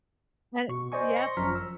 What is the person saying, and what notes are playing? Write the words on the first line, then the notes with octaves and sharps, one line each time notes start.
and yep.
B2 C#6
C5 D5 D#5 G#5 C#6
C6 C#6 A#6 C#7
G1 F#2 F3 A#5 F6 B6
E6